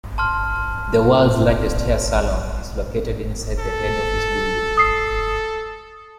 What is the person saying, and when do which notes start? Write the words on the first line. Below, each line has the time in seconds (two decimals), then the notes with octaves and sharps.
The world's largest hair salon is located inside the head office building.
0.18 A5 C6 F6
3.59 A4
4.77 D#6 C7